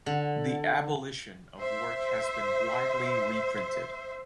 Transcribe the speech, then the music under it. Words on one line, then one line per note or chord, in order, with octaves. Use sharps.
"The Abolition of Work" has been widely reprinted.
D3
C5 E5